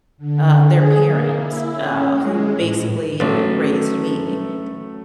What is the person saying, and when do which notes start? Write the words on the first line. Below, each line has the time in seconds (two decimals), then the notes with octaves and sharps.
uh, their parent, uh, who basically raised me,
0.17 D3
0.64 G#4
1.01 A#3
1.33 E4
1.72 C#4
2.08 G#3
2.58 A2
3.20 A1 F#3 A3 A6